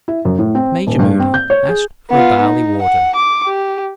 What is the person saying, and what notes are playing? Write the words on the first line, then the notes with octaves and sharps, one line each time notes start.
Major Moody asked for barley-water.
E4
F#2
A2
C4
D#1
G2
C4
G6
C#5
G#4
B3 F4
D#4
F#5
D6
G4